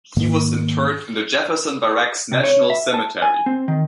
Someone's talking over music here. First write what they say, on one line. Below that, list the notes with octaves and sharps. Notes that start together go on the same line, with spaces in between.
He was interred in the Jefferson Barracks National Cemetery.
G#2 D#3 A#3
C3
C#5
E5
A5
G#5
C4
D#3